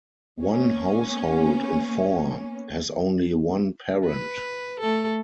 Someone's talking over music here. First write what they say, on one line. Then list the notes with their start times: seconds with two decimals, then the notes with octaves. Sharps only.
One household in four has only one parent.
0.40 A#3 B3 C#4
4.05 B4
4.80 A3 A4